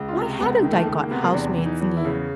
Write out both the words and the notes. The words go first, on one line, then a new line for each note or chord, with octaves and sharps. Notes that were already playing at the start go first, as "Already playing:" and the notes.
Why hadn't I got housemaid's knee?
Already playing: C#2
F4
C3
C#2 B3
D#3
A3
A#3
C#2 A3
A#3
C3 B3
A#3
E2 D4
E3
D#4
E2
E4
C#3